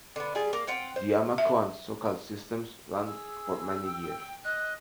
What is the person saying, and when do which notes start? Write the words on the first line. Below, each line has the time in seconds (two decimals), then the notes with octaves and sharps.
The Amoco and Socal systems ran for many years.
0.16 D3 B3
0.35 G3 F4 G#4
0.53 A#3
0.67 C4 F4 F#5 G5
0.96 C5
1.38 E5
3.07 G#4 E6
3.84 G5
4.44 D#5 F#6